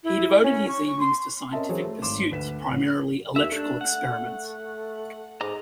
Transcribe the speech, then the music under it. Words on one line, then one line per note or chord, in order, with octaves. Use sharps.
He devoted his evenings to scientific pursuits-primarily electrical experiments.
E4
C#4
C#6
C6
C4 C#4 A#4 D#5 E5 A5
E3 F#3 G#4 A#4 C5 C#5
A3
G#1 C6 D6 E7
D2 B4 B6 E7
A1
D#2 E5
A3 D4
F#5
G#2 D#5 A#5 D6